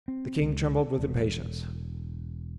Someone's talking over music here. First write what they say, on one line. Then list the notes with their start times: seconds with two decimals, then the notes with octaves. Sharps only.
The king trembled with impatience.
0.08 C4
0.40 C#2
0.98 E1